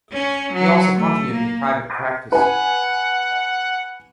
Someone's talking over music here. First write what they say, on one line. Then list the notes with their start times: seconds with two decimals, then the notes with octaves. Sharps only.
He also continued in private practice.
0.13 C#4
0.53 F#3
0.96 A3
1.32 A#3
2.32 B4 F#5 G#5